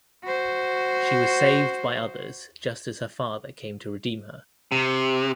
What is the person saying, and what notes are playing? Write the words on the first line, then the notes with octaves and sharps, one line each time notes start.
She was saved by others just as her father came to redeem her.
F#4 C5
C3